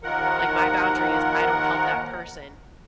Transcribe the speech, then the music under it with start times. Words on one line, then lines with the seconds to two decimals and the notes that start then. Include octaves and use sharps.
Like, my boundary is I don't help that person,
0.03 D#2 D#3 F3 A#4 F#5